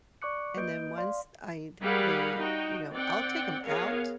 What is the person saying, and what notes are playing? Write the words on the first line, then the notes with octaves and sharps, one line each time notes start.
and then once I'd they, you know, I'll take 'em out,
D5 C#6 D6 F#6 C#7
A#3 B4 D#5 G6 D7
D5 F5 C6
G3 G#4 A#4 F5 F#5 B5
D#4 F#4 G5
C4 D5 F#5 G5
B3 G#4 A#4 C#5 F5